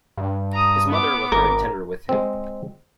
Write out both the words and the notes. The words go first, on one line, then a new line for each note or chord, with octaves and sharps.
His mother was very tender with him.
G2
A#5 D#6
B3 D6
G#1 A#4
G#3 C4